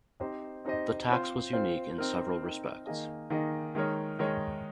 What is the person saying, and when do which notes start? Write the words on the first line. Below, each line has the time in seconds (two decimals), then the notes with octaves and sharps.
The tax was unique in several respects.
0.20 C4 D#4 G4 C5 D#5
0.65 C4 D#4 G4 C5 D#5
1.09 C4 F4 C5
1.53 C4 F4 C5
1.98 C4 D#4 A#4
2.42 C4 D#4 A#4
2.86 D#3 A#3 D#4 G#4 D#5
3.30 D#3 A#3 D#4 G#4 D#5
3.75 D#3 G#3 D#4 A#4 C#5
4.19 D#3 G#3 D#4 A#4 C#5